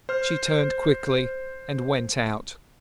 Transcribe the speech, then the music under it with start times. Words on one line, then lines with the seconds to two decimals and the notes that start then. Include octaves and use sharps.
She turned quickly, and went out.
0.09 C5 F6